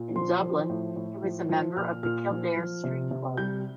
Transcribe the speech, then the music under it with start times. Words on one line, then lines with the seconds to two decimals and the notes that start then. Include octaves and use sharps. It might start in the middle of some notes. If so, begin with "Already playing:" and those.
In Dublin, he was a member of the Kildare Street Club.
Already playing: A#2
0.16 F3 C6
0.43 F3
0.69 A2
0.96 A2
1.23 F3
1.49 F3
1.77 A#2 F6
2.03 A#2 F6
2.30 F3
2.57 F3
2.84 C3
3.11 C3
3.37 G3 G6